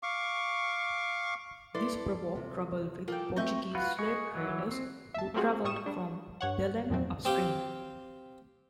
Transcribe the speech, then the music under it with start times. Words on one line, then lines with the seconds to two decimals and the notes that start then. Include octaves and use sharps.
This provoked trouble with Portuguese slave traders, who travelled from Belem upstream.
0.03 F5 C#6 D6
1.75 E4 A4 B4 D5 C6
2.35 C3 F4
3.08 F3 A#3 A4 A#4 G5 G#5
3.36 A3 C4 B4 D#5 E5 C#6 G6
3.75 F4 F#4 B4
3.99 G#4 D#5 C#6
4.35 E3 F#3
4.71 C4
5.14 E5 A5
5.34 A3 A#3 C4 F4 F#4 G#4
5.64 A2 G3 C#6 D#6 E7
5.86 G3 D4
6.41 G2 C#5 F#5
6.90 F2 A#2 D#3 F3 F#3 C4
7.25 C4 G4 F5